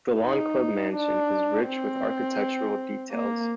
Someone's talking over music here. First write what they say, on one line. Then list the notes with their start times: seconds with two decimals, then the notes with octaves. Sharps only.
The Lawn Club mansion is rich with architectural details.
0.21 D#4
0.93 D4
1.66 C4
3.11 A#3